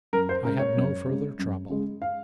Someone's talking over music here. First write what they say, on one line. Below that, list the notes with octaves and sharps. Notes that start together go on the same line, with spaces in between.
I had no further trouble.
F#2 A#4
C5
C#3 G#3 A#4
C#5
F#2
C#3 G#3
F#2
C#3 G#3
F5